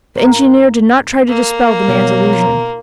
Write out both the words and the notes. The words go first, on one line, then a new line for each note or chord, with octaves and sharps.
The engineer did not try to dispel the man's illusion.
G#2 A#3
A#3 A4
B2 F#3 D#4 A#4 F5
F4 A#4 A5